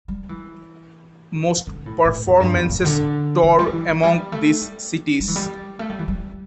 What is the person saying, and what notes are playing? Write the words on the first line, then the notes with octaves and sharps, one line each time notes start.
Most performances tour among these cities.
G3
E3
D3
A2
A2
E2
G2
E2
A2
D3
D3
G3
E3
E3
G3
A3
G3
G3
E3
G3
A3
G3
E3
G3